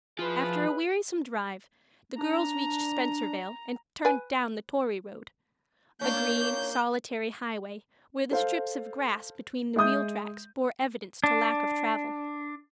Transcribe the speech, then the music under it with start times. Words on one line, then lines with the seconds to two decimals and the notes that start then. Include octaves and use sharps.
After a wearisome drive the girls reached Spencervale and turned down the "Tory" Road . . . a green, solitary highway where the strips of grass between the wheel tracks bore evidence to lack of travel.
0.19 F3 E4 F4 G#4 B4
2.18 D4 A#5
4.05 B4 G#5
6.01 A#3 C#4 D4 G6
8.31 A4 C5 F5
9.76 G#3 E5 D#6 G6
11.24 D4